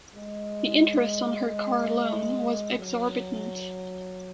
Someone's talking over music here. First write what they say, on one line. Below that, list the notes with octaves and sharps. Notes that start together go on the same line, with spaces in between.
The interest on her car loan was exorbitant.
G#3
G#3
F#3